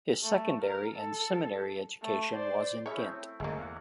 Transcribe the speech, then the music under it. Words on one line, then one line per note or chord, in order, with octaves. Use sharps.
His secondary and seminary education was in Ghent.
A3
A#4
A4
A3
C5 D5
C#4 E4 G#4 C#5 E5
A3 C4 E4
G1 D2 C#3 G#3 A#3
E2 F5 F#5